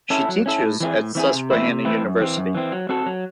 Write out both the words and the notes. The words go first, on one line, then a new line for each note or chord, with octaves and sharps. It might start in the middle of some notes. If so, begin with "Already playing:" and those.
She teaches at Susquehanna University.
C#4 E4 A4
F#3
C#4 E4 A4
A2
E3 C4 E4 G#4
A2
E3 C4 E4 G#4
C3
E3 A3 C4 E4
C3
E3 A3 C4 E4
F#2
E3 C4
F#2
E3 C4
F#3
C4 F#4 A4
F#3